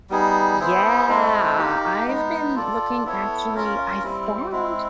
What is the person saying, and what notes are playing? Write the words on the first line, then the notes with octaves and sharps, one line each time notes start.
Yeah, I've been looking, actually I found
G3 B3 D#4 G#4
B3 E4 G#4 C5
G#3 C4 E4 A4
A#3 D#4 G4
G#3 B3 D#4
F4 A4 D5
B3 E4 A4 C#5
A#3 C#4 F4 A#4
G3 C4 E4
G#3 C4 E4